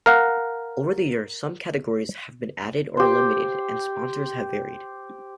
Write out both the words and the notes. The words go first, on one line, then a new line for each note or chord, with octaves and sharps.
Over the years, some categories have been added or eliminated and sponsors have varied.
A#4 F5 F#5
G4 C5